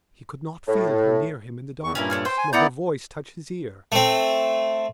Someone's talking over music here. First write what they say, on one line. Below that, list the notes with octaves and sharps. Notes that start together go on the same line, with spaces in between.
He could not feel her near him in the darkness nor her voice touch his ear.
A2
E2 C#6
G2 A#2 C#4 E4 A#4
A3 C#5 F6
C5 G5
G#5
B3 E4 D5 F#5 A#5 G6
A3 C4